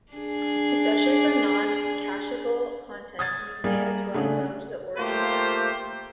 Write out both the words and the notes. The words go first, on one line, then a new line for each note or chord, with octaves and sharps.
Especially for non-cacheable content, you may as well go to the origin host.
D4 G#4
D#6 G#6 A6
G3 A#3 G#4
C#3 A3 D4 G#4
A3 A#3 F4 G4 C5